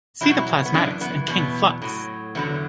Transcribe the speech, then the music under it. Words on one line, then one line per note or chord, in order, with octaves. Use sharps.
See the Plasmatics and King Flux.
E2 B2 F#3 E4
F#4
E4
B3
F#2 E3 D4
B3
E2 B2 F#3 B3
A2 F#3
E2 D3 F#3 B3